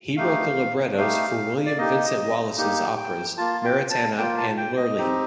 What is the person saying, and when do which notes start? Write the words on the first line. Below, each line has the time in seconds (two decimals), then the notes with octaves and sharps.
He wrote the librettos for William Vincent Wallace's operas "Maritana" and "Lurline".
0.17 A3 D#4 G4 F5
0.97 A3 D#4 G4 F5
1.66 D5
1.77 A#3 D#4 G4 D#5
2.57 A#3 D#4 G4
2.97 G5
3.38 A#3 F4 A5
3.65 G5
3.91 A5
4.18 A#3 F4 G5
4.37 A5
4.58 G5
4.77 D#5
4.98 C4 D#4 G4